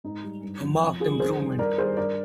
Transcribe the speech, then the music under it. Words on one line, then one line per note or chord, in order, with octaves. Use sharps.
A marked improvement.
G#2 D#4
G3
G2
F3
F2
D#3 G3 F4 G#4
F2 G#4 C5
D#3 G3
G2 A#4 D5
D#3 G3 G#4 C5
G2 A#4 D5